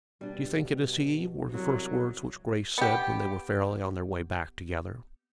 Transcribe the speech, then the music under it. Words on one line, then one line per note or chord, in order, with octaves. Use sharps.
"Do you think it is he?" were the first words which Grace said when they were fairly on their way back together.
B2 G3 D4
C2 F#3
B3 G4